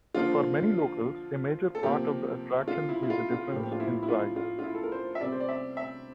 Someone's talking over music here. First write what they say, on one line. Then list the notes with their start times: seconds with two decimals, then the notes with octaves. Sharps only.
For many locals, a major part of the attraction is the difference in price.
0.14 D3 F3 A#3 F4
1.75 A4
1.83 C3 F3 A#3 G4
2.68 F4
2.89 E4
3.03 E4
3.10 F4
3.31 F4
3.52 A2 F3 A#3 G4
3.63 G4
3.72 F4
3.80 E4
4.03 E4
4.08 F4
4.36 F4
4.59 F4
4.64 E4
4.74 A4
4.83 A#4
4.92 C5
5.15 E5
5.21 C3 G3 C4 D5
5.32 C5
5.40 D5
5.48 E5
5.77 E5